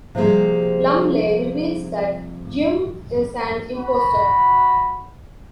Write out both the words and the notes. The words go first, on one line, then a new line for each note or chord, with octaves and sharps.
Lumley reveals that Jim is an imposter.
C3 F3 G3 A#3 G#4 C5
F#4 B5